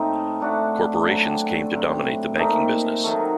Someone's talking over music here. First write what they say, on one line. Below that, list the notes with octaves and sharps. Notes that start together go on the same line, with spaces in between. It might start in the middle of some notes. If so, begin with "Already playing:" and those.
Corporations came to dominate the banking business.
Already playing: A2 A3 C4 D#4
A2 A3 D4 F#4
D3 F#3 C4
A2 F#3 C4
A#2 A3 C4 D#4
D#3 F#3 A3